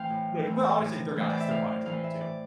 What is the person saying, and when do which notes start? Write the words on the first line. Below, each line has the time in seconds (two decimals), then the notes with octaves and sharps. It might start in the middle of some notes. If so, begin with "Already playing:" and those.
like well, honestly, they're guys, they're probably enjoying it too.
Already playing: E3 A3 C4 F5 G5
0.10 A2
0.46 E3 A3 C4
0.81 A2
1.16 E3 A3 C4 C5
1.30 D5
1.40 E5
1.51 A2 F5
1.68 F5
1.86 E3 A3 C4 F5
2.04 E5
2.21 D5